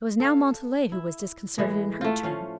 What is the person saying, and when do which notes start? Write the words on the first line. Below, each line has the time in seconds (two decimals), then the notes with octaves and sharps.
It was now Montalais who was disconcerted in her turn.
0.20 A4 F5
0.92 E4
1.58 A2 E3 G#3
2.01 A3 F4
2.23 F3 C#4 F5